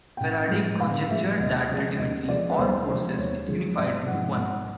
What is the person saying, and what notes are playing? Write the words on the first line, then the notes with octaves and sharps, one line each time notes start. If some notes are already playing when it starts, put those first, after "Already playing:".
Faraday conjectured that ultimately, all forces unified into one.
G5
A1 F#5
A2 F3 G#3
A1 F5
A2 F3 G#3 E5
D#2 D#5
C#3 F3 G#3
D#2 D#5
C#3 F3 G#3 D5
B4
D#2 C5
C#3 F3 G#3 C5
D#2 C#5
C#3 F3 G#3
G#1 D5
G#2 F3 F#5
G#1 F#5